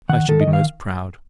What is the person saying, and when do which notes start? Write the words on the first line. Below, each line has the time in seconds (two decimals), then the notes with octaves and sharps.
I should be most proud.
0.09 D#3 F#5
0.28 D#3 A4
0.41 D#5
0.47 D#3
0.53 F5